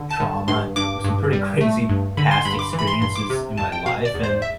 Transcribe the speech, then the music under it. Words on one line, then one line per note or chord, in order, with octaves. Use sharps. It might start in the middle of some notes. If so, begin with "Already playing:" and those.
trauma, and p some pretty crazy past experiences in my life, and,
Already playing: D3
A5
D3
G2 C6
G2 D6
G2
G3
A3
G2
D3 B5
C6
G2 B5
D6
E3
B5
C6
G2 C6
D6
C3
F2 A5
G5
B2 F5
D5
E2
C5
E5